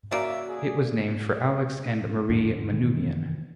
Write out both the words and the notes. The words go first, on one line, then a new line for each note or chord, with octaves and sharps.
It was named for Alex and Marie Manoogian.
C#3 A#3 F#4 D5 E5
G#4
E2 G#2 D3 D4
C3 D#3 E3